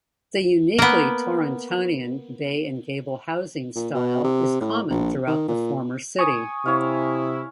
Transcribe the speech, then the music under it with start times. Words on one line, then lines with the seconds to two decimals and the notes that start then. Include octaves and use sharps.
The uniquely Torontonian bay-and-gable housing style is common throughout the former city.
0.78 A#3 B3
3.76 A#2
3.95 B2
4.24 C3
4.61 A2
4.90 A#1
5.27 D#3
5.48 A#2
6.19 G#5 C#6 D#6
6.66 C3 E4 C#5 F5